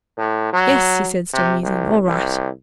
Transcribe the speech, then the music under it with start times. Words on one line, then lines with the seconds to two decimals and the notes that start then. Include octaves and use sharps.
"Yes!" he said, still musing, "all right!"
0.18 A2
0.53 F#3
1.33 C3
1.63 C2
2.07 C2